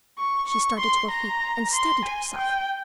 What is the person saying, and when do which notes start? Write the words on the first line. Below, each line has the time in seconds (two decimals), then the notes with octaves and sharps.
She started to her feet, and steadied herself!
0.18 C#6
0.49 C#6
0.79 C6
1.11 A#5
1.74 C6
2.05 G#5
2.36 G5